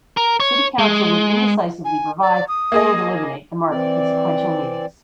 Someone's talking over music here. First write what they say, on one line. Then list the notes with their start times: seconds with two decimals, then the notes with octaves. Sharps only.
City Council would indecisively revive and eliminate the market in sequential meetings.
0.17 A#4
0.40 C#5
0.79 G#3
1.85 G#5
2.21 D5
2.48 D#6
2.72 A#3 G#4 D#5
3.71 E3 C4 D5